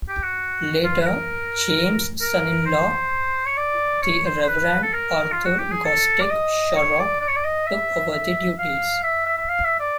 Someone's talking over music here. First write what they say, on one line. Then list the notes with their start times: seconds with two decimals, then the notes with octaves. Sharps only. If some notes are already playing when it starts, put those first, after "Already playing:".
Later James' son-in-law the Reverend Arthur Gostick Shorrock took over the duties.
0.09 G4
0.23 F#4
0.84 F4
1.01 B4
1.06 A#4
2.21 A#4
2.66 C5
3.46 C#5
3.57 D5
4.02 C#5
4.25 C5
4.42 C5
4.48 B4
4.83 A4
4.93 A#4
5.32 F4
5.45 F#4
5.59 G4
5.71 G#4
5.85 A4
6.21 D5
6.31 D#5
6.76 C#5
6.99 D5
7.21 D5
7.28 C#5
7.36 D5
7.45 D#5
7.67 E5
8.13 E5
8.58 F5
9.03 E5
9.26 E5
9.38 E5
9.49 F5
9.64 E5
9.80 D5